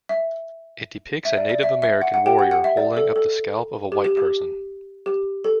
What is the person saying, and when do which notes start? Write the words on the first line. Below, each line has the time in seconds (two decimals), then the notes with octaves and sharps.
It depicts a Native American warrior holding up the scalp of a white person.
0.09 E5
1.25 E5
1.37 D5
1.49 D5
1.63 E5
1.82 E5
2.02 F#5
2.14 F#5
2.26 G4 G5
2.39 F#5
2.51 F#5
2.64 E5
2.77 D5
2.97 A4
3.16 A4
3.92 G4
4.04 G4
4.17 G4
5.06 G4
5.44 A4